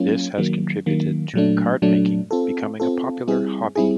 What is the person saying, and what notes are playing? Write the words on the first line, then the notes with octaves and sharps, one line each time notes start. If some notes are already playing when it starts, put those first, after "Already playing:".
This has contributed to cardmaking becoming a popular hobby.
Already playing: F#3 A#3 C#4 F4
D#3 F#3 A#3
D#3 F#3 A#3
A#2 F#3 A3 D4
A#2 F#3 A3 D4
C4 F4 A4
C4 F4 A4
G3 C4 E4 G#4
G3 C4 E4 G#4